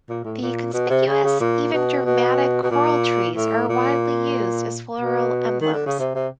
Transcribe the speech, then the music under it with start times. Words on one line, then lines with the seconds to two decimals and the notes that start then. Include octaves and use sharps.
The conspicuous, even dramatic coral trees are widely used as floral emblems.
0.09 A#2
0.24 A2
0.42 A#2
0.74 B2
0.90 C3
1.07 C#3
1.24 C#3
1.40 A#2
1.73 B2
2.05 B2
2.63 B2
2.71 A#2
3.36 A2
3.69 A#2
5.00 B2
5.61 D#3
5.73 D3
5.86 C#3
5.99 C3
6.15 C3